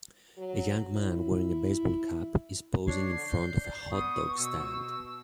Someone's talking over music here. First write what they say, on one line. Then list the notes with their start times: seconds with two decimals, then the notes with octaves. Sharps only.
A young man wearing a baseball cap is posing in front of a hotdog stand.
0.38 F#3
0.94 E4
2.88 D4 C#5 C7
3.16 D3
3.28 D5 G6
3.92 B3 C5 F#5 C#6 D#6
4.38 B2 E6